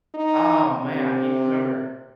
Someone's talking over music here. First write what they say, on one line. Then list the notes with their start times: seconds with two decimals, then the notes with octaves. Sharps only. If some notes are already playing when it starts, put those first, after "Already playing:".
Oh, man. I can't remember
0.14 D#4
0.87 C3